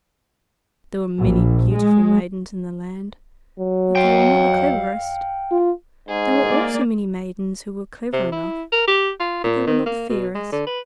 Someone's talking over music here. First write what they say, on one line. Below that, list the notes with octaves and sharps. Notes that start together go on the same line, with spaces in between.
There were many beautiful maidens in the land, but they were not the cleverest. There were also many maidens who were clever enough, but they were not the fairest.
A#1
G#3
F#3
F5 G5
F4
G#2 G#4
A#3 D5
C3
E4
A#4
G4
F4
A#2
D#3
A#3
B2
G#3
D3
B4